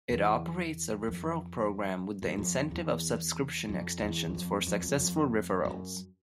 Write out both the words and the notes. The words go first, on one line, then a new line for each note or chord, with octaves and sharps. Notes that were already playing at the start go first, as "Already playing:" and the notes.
It operates a referral programme, with the incentive of subscription extensions for successful referrals.
E2
F2
F#2
F2
E2
F2
E2
E2
F2
F2
F2
F2
F#2